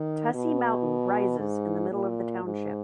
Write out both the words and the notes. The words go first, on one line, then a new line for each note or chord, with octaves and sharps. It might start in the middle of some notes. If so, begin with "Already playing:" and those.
Tussey Mountain rises in the middle of the township.
Already playing: D#3
B2
G#2
A#2
G#2